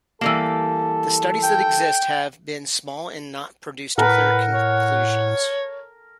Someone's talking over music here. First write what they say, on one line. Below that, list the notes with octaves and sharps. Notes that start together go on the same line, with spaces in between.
The studies that exist have been small and not produced clear conclusions.
E3 G3 A#3 A4
G5
A2 A#4 B4 F#5 A5
C#5